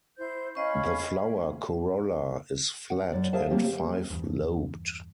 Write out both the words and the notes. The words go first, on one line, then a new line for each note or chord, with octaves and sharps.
The flower corolla is flat and five-lobed.
E4 C5 G6
C#4 D#5 F5 B5 C#6
F#5
F#2 D5
G#4 A#4 C5 E5 F5 A5
C#3 G3 A#3 C4 G4
E2 G2